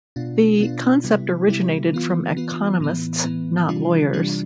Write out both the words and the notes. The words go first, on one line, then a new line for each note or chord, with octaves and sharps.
The concept originated from economists, not lawyers.
B2 B3 D4 F4
B2 B3 D4 F4
C3 G3 B3 E4
C3 G3 B3 E4
E3 B3 F4
E3 B3 F4
A2 E3 B3
A2 E3 B3
C3 E3 G3 D4 F4
C3 E3 G3 D4 F4